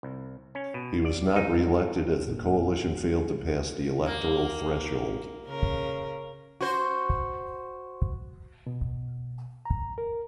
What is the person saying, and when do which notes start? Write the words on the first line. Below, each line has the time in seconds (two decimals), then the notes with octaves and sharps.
He was not reelected as the coalition failed to pass the electoral threshold.
0.03 C2
0.55 C#4
0.74 B2
1.05 D5
1.36 D#4
2.26 G1 G2 A#2
4.06 A#3
5.46 C#3 A#4
6.61 F#4 C5
8.66 B2
9.65 A#5
9.98 A#4